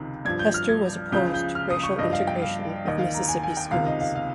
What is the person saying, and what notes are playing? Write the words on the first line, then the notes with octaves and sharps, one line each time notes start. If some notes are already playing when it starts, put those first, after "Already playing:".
Hester was opposed to racial integration of Mississippi schools.
Already playing: C#2 C3 D#3
G2 F3 G#6
G6
F6
G#6
C#2 C#3 F3 G6
G6
F6
D#6
C#6
G2 F3 D#5
F5
G5
F5
D#2 D#3 D#5
F5
A#5
G#5
G#5
G5
C#2 C3 D#3 F5
D#5
F5
F5